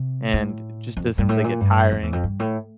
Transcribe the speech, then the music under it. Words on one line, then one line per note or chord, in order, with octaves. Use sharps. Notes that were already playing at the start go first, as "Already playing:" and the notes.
and it just doesn't really get tiring.
Already playing: C3
A2
F2
G2
A2
A#2
G2
F2
E2
F2
G2
A2